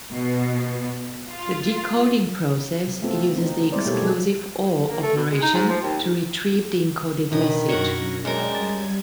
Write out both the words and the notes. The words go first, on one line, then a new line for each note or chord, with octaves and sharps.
The decoding process uses the "exclusive or" operation to retrieve the encoded message.
B2
F4
C3
A3 B3 C4 F4 A4
C4 D#4
G3 G#3 C4 E4 C5 D5
B2 A#3 G4 A4 C#5
G#3 G#4 A4
A#3
A3
B2
G#3
D#4
G#2
F3
D#2
G#2
F#2 B2 D#3 D4 D#4 D#5 B5
F#2 F#4 A#4 C#5 A#6
F#2 G#3 A#4 D5 G5 A5
G3 G#6 A6